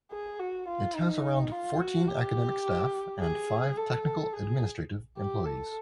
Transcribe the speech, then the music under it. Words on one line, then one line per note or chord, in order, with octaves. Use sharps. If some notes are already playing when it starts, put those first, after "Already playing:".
It has around fourteen academic staff and five technical-administrative employees.
G#4
F#4
F4
D#4
F4
F#4
G4
G#4
A4
G#4
G4
A4